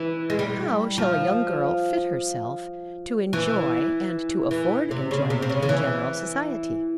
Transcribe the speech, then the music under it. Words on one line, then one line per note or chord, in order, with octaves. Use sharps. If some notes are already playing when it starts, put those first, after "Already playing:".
How shall a young girl fit herself to enjoy and to afford enjoyment in general society?
Already playing: E3
G#3
G3
F3
E3
E3
C3
C#3
C3
C3
C#3
C#3
E3